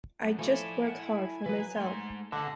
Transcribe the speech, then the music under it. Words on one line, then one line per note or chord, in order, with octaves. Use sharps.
I just work hard for myself.
F#2
F3 A3 E4 A4 D5 G#5
F#5
E3 F#3 G#4 B4
G#2 A3 C6
D3 D#5 E5 F#5